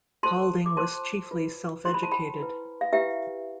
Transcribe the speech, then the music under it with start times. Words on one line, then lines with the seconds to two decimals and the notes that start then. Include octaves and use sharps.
Paulding was chiefly self-educated.
0.23 F4 A4 C5 A5 C6
0.66 D6
0.76 F4 C5 A5 C6
1.31 F4 B4
1.85 E4 A4 C5 C6
1.94 B5
2.03 A5
2.12 G5 B5
2.39 E4 B4
2.81 F5
2.92 E4 G4 B4 E5 G5